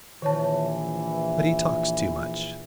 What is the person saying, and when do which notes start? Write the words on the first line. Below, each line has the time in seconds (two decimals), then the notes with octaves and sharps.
"But he talks too much."
0.22 A#1 D#3 E3 C#5 A5